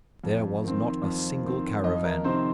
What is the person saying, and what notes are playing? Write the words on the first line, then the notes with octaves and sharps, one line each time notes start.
There was not a single caravan.
F2
D#3 C4
F2
D#3 C4
F2 D#5
A#4
C3 D#3 C4 C5